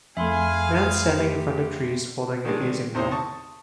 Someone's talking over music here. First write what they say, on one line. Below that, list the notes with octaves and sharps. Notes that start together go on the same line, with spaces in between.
Man standing in front of trees holding a gazing ball.
F2 A3 G#4 E5 F5 G#5 B5 C6
G4
D#3 G3 G#3 D4
E2 C3 D#4 C5
A5 C#6 D#6